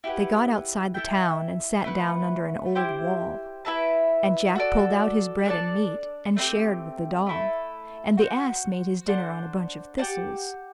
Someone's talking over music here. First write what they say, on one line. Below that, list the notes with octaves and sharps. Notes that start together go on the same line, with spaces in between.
They got outside the town, and sat down under an old wall, and Jack pulled out his bread and meat, and shared with the dog; and the ass made his dinner on a bunch of thistles.
E4 G4 B4 F#5
E4 A4 E5 G5
A3 E4 B4 F#5
E4 G4 C5
E4 B4 E5 A5
F#4 A4 D5
D4 A4 D5 A5
A3 C4 E4 G4
A3 E4 A4
F#4 C5 F#5
D4 A4 C5 F#5
G4 D5 F#5 A5